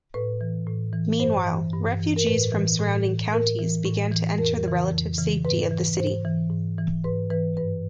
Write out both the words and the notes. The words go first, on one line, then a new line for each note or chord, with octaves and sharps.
Meanwhile, refugees from surrounding counties began to enter the relative safety of the city.
A2 B4
E3
A2
E3
G2 C5
E3
G2
E3
A#4
A2 B4
E3
A2
E3
A2 A#4
E3
A2
E3
F2 A#4
C#3 E3
F2
C#3 E3
G#2 B4
E3
G#2 C5
E3
G#2
E3
G#2 B4
E3 B4
G2 B4